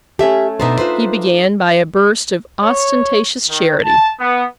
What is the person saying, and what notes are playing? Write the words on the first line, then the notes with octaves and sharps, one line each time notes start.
He began by a burst of ostentatious charity.
A3 C#4 G4 E5
B2 B3 D4 D#4 C5 E5
F4 B4 C5
C#5
D#3
A5
B3